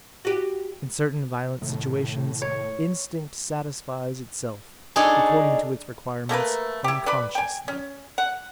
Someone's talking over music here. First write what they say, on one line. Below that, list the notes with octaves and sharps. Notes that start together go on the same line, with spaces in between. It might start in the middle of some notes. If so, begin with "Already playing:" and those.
In certain violent situations instinct satisfies itself, according to its requirements, unconsciously.
F#4 G4
F1 A2 C3 D#3
C#5
D4 D#4 G#4 A4 C#5
A3 A#3 A#4 B4
E4 G4
B4 D5 B5
G5 G#5
C#4
F#5